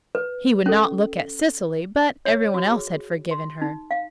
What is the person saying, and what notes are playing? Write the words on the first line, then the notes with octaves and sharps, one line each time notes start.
He would not look at Cecily, but every one else had forgiven her.
B4
C#4 A4
C#5
F#4
G#4
C6
D#4
F5